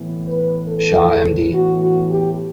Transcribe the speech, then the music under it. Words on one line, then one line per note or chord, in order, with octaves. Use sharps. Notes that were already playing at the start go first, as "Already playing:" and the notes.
Shah Md.
Already playing: A2 E3 B3
B4
A4
F#4
F#4
G4